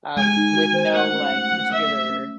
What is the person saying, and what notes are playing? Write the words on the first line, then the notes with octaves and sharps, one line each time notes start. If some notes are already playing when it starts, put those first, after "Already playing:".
um, with no, like, particular,
G#3 G#5
D#4
F#4
C5
A3 F#5
C#4
A3
F#3
A3 E5
A3
C#4